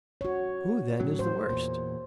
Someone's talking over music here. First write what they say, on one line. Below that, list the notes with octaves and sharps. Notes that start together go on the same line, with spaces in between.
'Who, then, is the worst?
F#4 C#5
A2 C#3 F#3
C5
E2 A#2